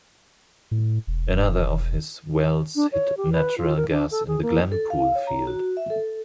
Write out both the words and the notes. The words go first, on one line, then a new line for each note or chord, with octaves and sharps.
Another of his wells hit natural gas in the Glenn Pool field.
A2
E1
D4
C#5
G4
B4
F4
A#4
D4
A4
G#4
A#3
A4
F5
C#5
A#5
F#4
E5
A4